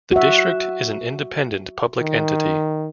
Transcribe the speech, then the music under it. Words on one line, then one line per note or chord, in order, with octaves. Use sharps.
The district is an independent public entity.
F#4 E5
D#3